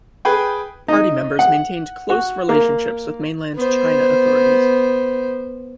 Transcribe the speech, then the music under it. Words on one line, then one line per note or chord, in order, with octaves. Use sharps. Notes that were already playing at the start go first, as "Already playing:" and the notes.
Party members maintained close relationships with Mainland China authorities.
G#4 B4 G5
D#4
F#5
F#4
A#3
B3 C5